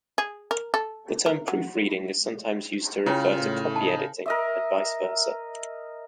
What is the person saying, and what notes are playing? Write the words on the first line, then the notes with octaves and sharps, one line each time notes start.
The term "proofreading" is sometimes used to refer to copy-editing, and vice versa.
G#4
A#4
A4
A#4
F#3
C#3 E4 F4 C#5 G5
A2
D#4 A5
A#4 D#5 E5